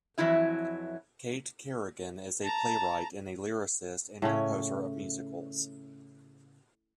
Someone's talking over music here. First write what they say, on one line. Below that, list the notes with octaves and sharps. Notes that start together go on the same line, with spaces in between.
Kait Kerrigan is a playwright and a lyricist and composer of musicals.
F2 E3 F#3 E4 E5
A5 A#5
A2 C#3 C#4 E4